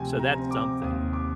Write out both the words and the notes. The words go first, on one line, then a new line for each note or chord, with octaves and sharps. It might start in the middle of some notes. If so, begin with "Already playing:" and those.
So that's something.
Already playing: D2 C3 F3 G5 G#5
A#5
C4
D6
D#2 D#6
D6